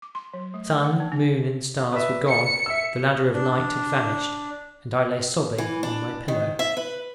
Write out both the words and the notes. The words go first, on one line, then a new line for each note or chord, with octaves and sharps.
Sun, moon, and stars were gone; the ladder of light had vanished; and I lay sobbing on my pillow.
D6
C6
F#3
A3
G5
F#5
D#4
D4
B4 D5 E5
C#7
E5 E6
D4
E3
D4
D#3
E5
B4